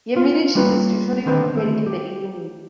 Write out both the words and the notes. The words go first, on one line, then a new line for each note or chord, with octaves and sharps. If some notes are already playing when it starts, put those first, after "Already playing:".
Yemeni cheese is usually prepared in the evening.
F4
G3 A#3 F4 B4 C#5
D3 D#3 C4 B4 C5
A3 A4
G4